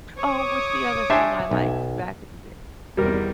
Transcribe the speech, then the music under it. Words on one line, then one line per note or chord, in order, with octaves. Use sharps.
oh, what's the other song I liked back in the day?
C#5 D6 D#6
D4 G4 C5 E5 G#5
B1
E2 C3 D#3 G3 A#4